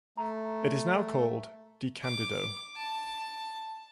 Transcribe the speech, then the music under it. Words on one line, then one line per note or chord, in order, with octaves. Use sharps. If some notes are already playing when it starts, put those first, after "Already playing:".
It is now called "De Candido".
A3 A#5
D6
A5